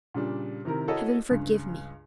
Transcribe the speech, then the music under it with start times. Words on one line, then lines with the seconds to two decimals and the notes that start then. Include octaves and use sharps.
Heaven forgive me!'
0.14 A#2 C#3 G3 D4
0.65 C3 D#3 E4 A#4
0.88 E4 F#4 A4 A#4 C#5 D#5
1.30 C#2 G2